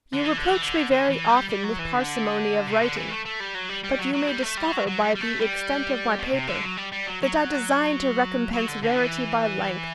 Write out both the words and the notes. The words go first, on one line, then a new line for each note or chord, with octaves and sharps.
'You reproach me very often with parsimony of writing: but you may discover by the extent of my paper, that I design to recompence rarity by length.
D3
E3
D3
E3
D3
D3
E3
G3
G3
F#3
E3
D3
C3
D3
E3
A3
A3
G3
F#3
G3
G3
F#3
F#3
G3
A3
G3
F#3
F#3
G3
G3
A3
G3
B2
C3
D3
F#3
G3
G3
F#3
F#3
F#3
D3
D3
E3